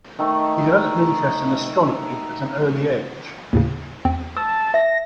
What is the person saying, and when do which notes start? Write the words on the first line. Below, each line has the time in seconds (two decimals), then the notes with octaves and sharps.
He developed an interest in astronomy at an early age.
0.19 D#3 A3 D#4
3.53 D#2 A2 C#3
4.05 E2 C4
4.37 A5 E6
4.74 E5 A#6